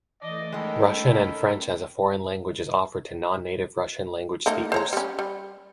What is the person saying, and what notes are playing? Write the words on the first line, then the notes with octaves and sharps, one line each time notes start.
Russian and French as a foreign language is offered to non-native Russian language speakers.
E3 A3 D5 D#5
D#3 G#3 A3 C#4 A4 A#4 D#5 B5
A3 A#3 D#4
C5 C#5 A#5
G3 C#4
G3